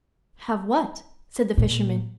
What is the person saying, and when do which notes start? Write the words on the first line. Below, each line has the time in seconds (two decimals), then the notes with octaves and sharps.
"Have what?" said the fisherman.
1.58 A#2